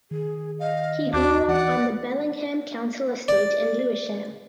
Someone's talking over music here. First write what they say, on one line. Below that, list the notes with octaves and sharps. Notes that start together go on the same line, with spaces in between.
He grew up on the Bellingham council estate in Lewisham.
D#3 G#4
D#5 F5
D#2 D4 F#4 D6
E3 D5 F#5
D5